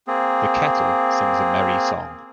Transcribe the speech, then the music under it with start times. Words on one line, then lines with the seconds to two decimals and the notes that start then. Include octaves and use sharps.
The kettle sings a merry song.
0.07 A#3 C4 G#4